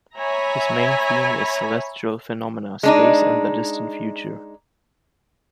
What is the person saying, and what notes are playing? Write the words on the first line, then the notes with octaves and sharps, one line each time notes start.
His main theme is celestial phenomena, space and the distant future.
C#5 E5 G#5 A#5 B5
G#3 D4 D#4